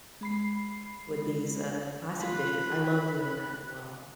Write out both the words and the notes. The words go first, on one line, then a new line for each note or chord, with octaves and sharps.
with these, uh, classic dishes. I love doing that as well,
G#3 B5 C7
F4 B5 F#6